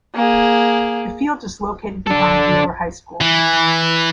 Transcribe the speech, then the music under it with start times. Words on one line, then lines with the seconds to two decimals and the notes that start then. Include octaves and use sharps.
The field is located behind Wheeler High School.
0.15 A#3 G#4
2.07 D4 A4
3.21 E3